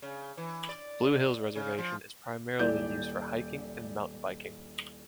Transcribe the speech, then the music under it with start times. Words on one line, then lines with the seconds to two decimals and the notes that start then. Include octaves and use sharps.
Blue Hills Reservation is primarily used for hiking and mountain biking.
0.02 C#3
0.37 E3
0.69 D5
1.55 C#3
1.78 F3
2.59 D#1 E4 D5 G6